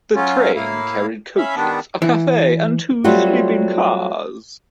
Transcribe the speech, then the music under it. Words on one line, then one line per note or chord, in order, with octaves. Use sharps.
The train carried coaches, a cafe, and two sleeping cars.
F#3 C#4 F4
A2 A#3 E4 F5
C#4 E5 F5 B5
D#3 G3 B3 D4
E3
F#3 G3 A3 C4 F4 F#4